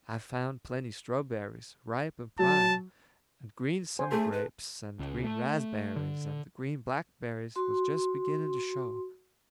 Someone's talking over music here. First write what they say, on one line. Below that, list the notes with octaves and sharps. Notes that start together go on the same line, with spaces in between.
I found plenty strawberries, ripe and prime; and green summer grapes, and green razberries; and the green blackberries was just beginning to show.
F#3 A5
C5 G#5
A3 G#4 A4
B4
C#2
A3
D3
F#4 C6